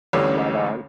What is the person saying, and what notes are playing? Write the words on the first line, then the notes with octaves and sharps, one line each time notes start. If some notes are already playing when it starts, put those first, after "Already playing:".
Right on.
A1 D2 A2 G3 C#4 A4